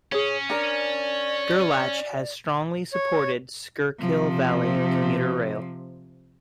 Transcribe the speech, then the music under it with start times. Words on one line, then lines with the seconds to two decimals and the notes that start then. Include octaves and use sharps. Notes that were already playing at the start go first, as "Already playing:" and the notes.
Gerlach has strongly supported Schuylkill Valley commuter rail.
0.12 C#4 G#4 C#5
0.50 D4 A#4 D5
2.92 C#5
3.99 C3 F3